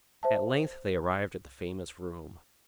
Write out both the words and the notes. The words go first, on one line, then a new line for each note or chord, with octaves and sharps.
At length they arrived at the famous room.
C5 E5 A5